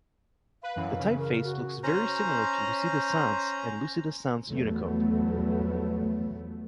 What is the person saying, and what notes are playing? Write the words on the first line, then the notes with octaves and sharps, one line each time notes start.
The typeface looks very similar to Lucida Sans and Lucida Sans Unicode.
B4 F5
F#2 E3
C#3
A#4
F#4
C#4 C5 A#5
E2 F3 F#3 A3 B3